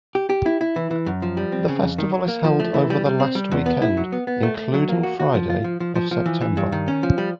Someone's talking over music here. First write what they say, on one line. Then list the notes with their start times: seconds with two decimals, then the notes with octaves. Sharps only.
The festival is held over the last weekend, including Friday, of September.
0.15 G4
0.30 G4
0.46 E4
0.61 E4
0.76 E3
0.91 E3
1.06 F#2
1.22 F3
1.37 G3
1.52 C4
1.68 C#3
1.82 F2
1.98 D#3
2.14 F#3
2.28 A#3
2.44 F3
2.60 A3
2.74 E3
2.90 G3
3.06 G3
3.20 C4
3.35 G3
3.51 E2
3.66 B3
3.82 E4
3.97 F#3
4.12 B3
4.27 B3
4.43 A3
4.57 A3
4.74 F#3
4.89 A#3
5.03 F#4
5.20 F#4
5.35 F3
5.50 F4
5.64 F3
5.80 F3
5.96 F3
6.11 F3
6.26 E3
6.41 E3
6.57 G2
6.72 D#3
6.88 C#4
7.03 F3
7.18 G3